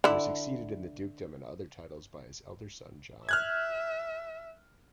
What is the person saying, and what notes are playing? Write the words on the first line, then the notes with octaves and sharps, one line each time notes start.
He was succeeded in the dukedom and other titles by his elder son John.
D3 E4
E5 F6 F#6 G#6